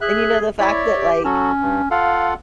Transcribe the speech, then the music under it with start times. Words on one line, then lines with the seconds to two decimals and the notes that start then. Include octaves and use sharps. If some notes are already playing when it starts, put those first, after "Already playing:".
And you know the fact that, like,
0.01 G#4 E5 F#6
0.59 E4 C#5 D5 E5
0.94 G4
1.24 F#3 C#4 F#4 A4
1.62 G2
1.91 F4 A4 F5 F#5